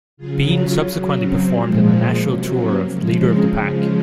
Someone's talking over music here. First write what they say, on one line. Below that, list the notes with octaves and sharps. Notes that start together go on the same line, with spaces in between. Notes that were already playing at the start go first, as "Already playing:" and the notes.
Bean subsequently performed in the national tour of "Leader of the Pack".
C#3 F#3 F4 G#4
C#4 F4
C#3 F#3
C4
A#2 F3 G#3
C3 F#3 A#3 C#4
A#3 C#4
C#3 F3 G#3
C4 D#4
C#3 F3 G#3